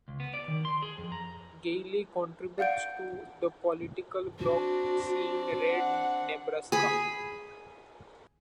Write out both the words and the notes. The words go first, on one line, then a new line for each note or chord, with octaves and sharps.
Gailey contributes to the political blog Seeing Red Nebraska.
C#2
B3
D5
D#3
C6
G#4
F2
A#5
D5 F5 F#5 G6 D7
C4 D4 F#4
F#5
G#4 B5